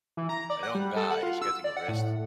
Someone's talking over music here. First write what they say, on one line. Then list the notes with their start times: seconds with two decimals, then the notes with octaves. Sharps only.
A young guy is getting arrested.
0.17 E3
0.29 A#5
0.50 D5
0.63 F#5
0.75 G3
0.96 A4
1.10 F#5
1.23 F4
1.42 E6
1.64 D5
1.77 F#5
1.89 A2